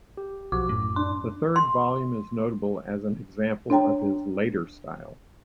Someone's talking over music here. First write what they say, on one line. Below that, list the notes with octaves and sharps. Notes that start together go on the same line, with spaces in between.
The third volume is notable as an example of his later style.
G4
B1 F3 F#4 D6
F#2 A2
D4 C6
C6
D4 C#5 G5 A#5